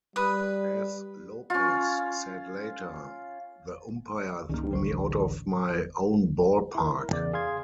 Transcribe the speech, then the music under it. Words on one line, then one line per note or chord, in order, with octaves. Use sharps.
As Lopez said later, The umpire threw me out of my own ballpark!
G3 B4 D#6
C#4 F4
C#2 G2 D#3 A#3
D1 A1 D2 D3 C5 C#6
E4
A#4
E2 C#3 D5
G#4 F5 C6 G#6